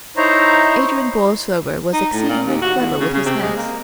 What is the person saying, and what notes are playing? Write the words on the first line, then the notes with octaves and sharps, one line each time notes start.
Adrian Borlsover was exceedingly clever with his hands.
D#4 E4 C5 C#5 A#5
D#4
A2
A#2
D#2
F#4
E2
C#3
C#3
C3
G#3
A#3